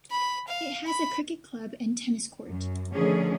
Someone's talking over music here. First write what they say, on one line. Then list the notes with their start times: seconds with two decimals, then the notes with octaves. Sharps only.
It has a cricket club and tennis court.
0.11 B5
0.47 F5
0.86 B5
2.48 F#2
2.95 D3 D#3 F3 A3 C#4 G#4